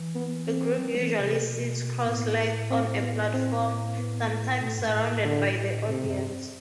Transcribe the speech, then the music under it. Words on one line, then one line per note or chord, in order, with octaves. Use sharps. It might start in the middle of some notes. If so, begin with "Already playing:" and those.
A group usually sits cross-legged on a platform, sometimes surrounded by the audience.
Already playing: E3
B3
C4
F#3
F#3
E3
C3
B2
A2 B3
C4
B3
C4
B3
B2 A3
A2
G2
A2
D3
C3
F#2
G2